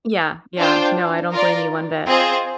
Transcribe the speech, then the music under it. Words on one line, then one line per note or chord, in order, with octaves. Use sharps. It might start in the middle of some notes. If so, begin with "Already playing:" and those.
Yeah, yeah, no, I don't blame you one bit.
D4 F4 C5 G5
F4 A#4 D5
C4 F4 G#4 C5 D#5